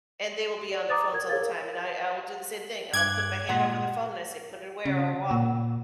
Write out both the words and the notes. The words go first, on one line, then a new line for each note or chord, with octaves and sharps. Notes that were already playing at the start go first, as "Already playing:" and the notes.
and they will be on their phones all the time, and I I will do the same thing. I'll put my hand over the phone and I say, "Put it away or I'll walk."
D5
A#5 D6 D#6 A6
A#4 G#6
G#4 A#4 C#5 F5 A6
G2 D6 F#6 G#6
A#2 G#3 F#5
C#3
A#2